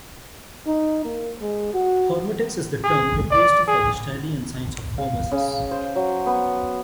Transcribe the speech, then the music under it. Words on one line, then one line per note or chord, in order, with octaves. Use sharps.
Hormetics is the term proposed for the study and science of hormesis.
D#4
A#3
G#3
F#4
G#4
D5
G#4
F5
C#3
C5
F#3
B3